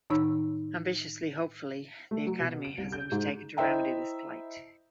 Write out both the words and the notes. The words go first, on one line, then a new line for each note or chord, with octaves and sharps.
Ambitiously, hopefully, the Academy has undertaken to remedy this plight.
A2 D#3 D#4 C#5 B5 E6
A3
F#3
B2
D7
C2
G6
G#2
E4 C5 D#5 E5 G5 A#5